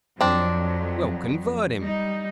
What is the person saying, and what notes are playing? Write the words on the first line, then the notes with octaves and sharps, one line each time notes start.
We'll convert him!
F2 F#3 C4 D4
G3 D#4